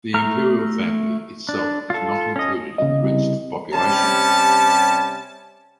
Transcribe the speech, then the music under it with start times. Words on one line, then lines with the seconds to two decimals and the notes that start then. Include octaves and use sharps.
The Imperial family itself is not included in the registered population.
0.14 A3 A#5 F6
1.49 D4
1.90 F4 A4
2.36 C#4 D#5
2.78 C#3 D#5
3.03 C2
3.73 C3 G3 C#4 A5